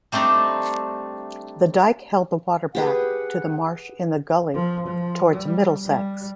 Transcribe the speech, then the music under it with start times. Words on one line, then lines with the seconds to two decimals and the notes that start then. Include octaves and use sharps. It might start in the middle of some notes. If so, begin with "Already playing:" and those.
The dike held the water back to the marsh in the gully towards Middlesex.
0.12 G3 A3 C4 D4 D#4
2.75 G4 G#4 B4 F#5
4.54 F3
4.87 F3
5.30 G3
5.86 G3